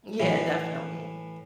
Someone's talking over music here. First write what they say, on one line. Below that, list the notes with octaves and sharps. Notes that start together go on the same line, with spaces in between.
Yeah, definitely.
A2 E3